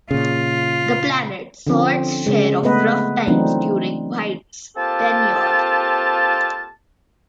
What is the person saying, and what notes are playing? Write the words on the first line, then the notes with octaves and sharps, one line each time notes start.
The "Planet" saw its share of rough times during White's tenure.
A#2 C#3 F4
D3 F3 C4 C#4
C#3 G#3
A3 B3 B4 D#5
E3 F#3 A3 C4 D4 D#4
A#3 C4 F4 G4 A4 A5